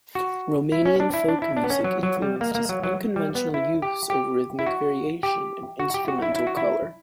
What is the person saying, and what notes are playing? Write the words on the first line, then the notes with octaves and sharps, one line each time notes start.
Romanian folk music influenced his unconventional use of rhythmic variation and instrumental colour.
F#4
E4
C#4
D4
E4
D4
E4
D4
B3
C#4
F#3
F#3
G3
A#3
A#3
F#3
F#3
G3
B3
E4
G4
G4
E4
F#4
G4
F#4
G4
F#4
E4
E4
F#4
E4